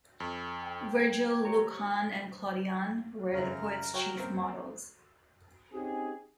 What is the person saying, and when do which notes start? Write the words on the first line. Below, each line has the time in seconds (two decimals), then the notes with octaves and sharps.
Virgil, Lucan, and Claudian were the poet's chief models.
0.20 F2
0.61 G5
1.00 G#6
1.45 G4 C#5 A#5
3.34 F#2 C#3 A#4
3.93 F#3 C#5 G5
4.15 A#3 C4 C#4
5.73 C4 C#4 D#4 G4 G#4